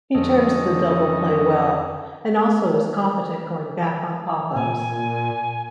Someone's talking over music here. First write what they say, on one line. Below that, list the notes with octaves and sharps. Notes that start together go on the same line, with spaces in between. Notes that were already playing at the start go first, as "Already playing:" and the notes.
He turns the double play well, and also is competent going back on pop-ups.
F2 D3 C#4 A4 D#5
A#2 G#5